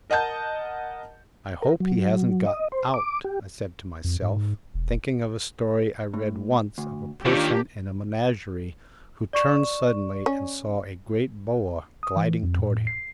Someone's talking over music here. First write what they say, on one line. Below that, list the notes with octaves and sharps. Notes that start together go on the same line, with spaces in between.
I hope he hasn't got out,' I said to myself, thinking of a story I read once of a person in a menagerie, who turned suddenly and saw a great boa gliding towards him.
A#4 D#5 F#5 A5 G6
A#4
F#3
D#5
C5
D6
G4
F2
G#2
E1
A2
D2
D#2 D#3 A#3 D4 F4 G4 C#5
D5 C#6 E7
C#4
D#6
E3
F2
A2
C7